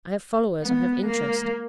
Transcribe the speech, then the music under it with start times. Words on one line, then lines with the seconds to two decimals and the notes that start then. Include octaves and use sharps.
I have followers,--I have interest.
0.63 B3
1.07 A#3